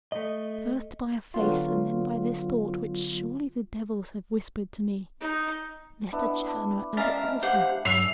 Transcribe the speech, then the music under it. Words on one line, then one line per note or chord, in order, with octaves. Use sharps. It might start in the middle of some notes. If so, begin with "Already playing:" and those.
First by a face and then by this thought which surely the devils have whispered to me. Mr. Challoner and Oswald!
A3 D#5
D3 F#3 B3 F4
D#4
B3 D4 E4
G#3 C#4 A#4 D5 E5 F5
G4 C5 F5 F#5
G2 F#3 E5 C7 F7